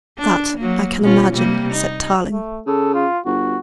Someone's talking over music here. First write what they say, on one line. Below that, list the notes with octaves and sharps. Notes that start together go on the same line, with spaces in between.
"That I can imagine," said Tarling.
D4
F#3 A#3
B2 C#4 F4
C3 G3 A#3
D#4
A3
C#3 A4
F4
G1 F#4